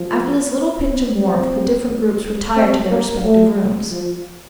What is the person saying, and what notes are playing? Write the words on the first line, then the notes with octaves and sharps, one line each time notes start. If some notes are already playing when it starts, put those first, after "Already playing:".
After this little pinch of warmth the different groups retired to their respective rooms.
Already playing: F3
C4
C4
A#3
A3
F3